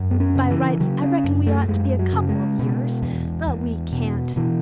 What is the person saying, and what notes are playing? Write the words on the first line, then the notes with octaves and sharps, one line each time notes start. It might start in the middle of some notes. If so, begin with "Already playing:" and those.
By rights I reckon we ought to be a couple of years; but we can't.
Already playing: F#2
B3
C#4
C#3
E3
C#3 F#3
C#4
F#2
A3
F#2 G#3
F#3
C#3
G#3
B2
E2
E2
B2
B2 E3